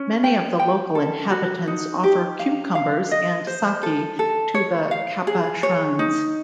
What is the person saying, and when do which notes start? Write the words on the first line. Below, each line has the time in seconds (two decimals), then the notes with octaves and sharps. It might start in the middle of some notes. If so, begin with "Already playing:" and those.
Many of the local inhabitants offer cucumbers and sake to the kappa shrines.
Already playing: C#4
0.24 G5
0.59 G5
0.95 A4
1.31 F#4
1.67 D#4
2.04 G4
2.39 F5
2.75 F5
3.11 D#5
3.47 C5
3.83 A4
4.19 A4
4.55 C#5
4.91 F5
5.27 G#4
5.63 C#5
5.99 D#4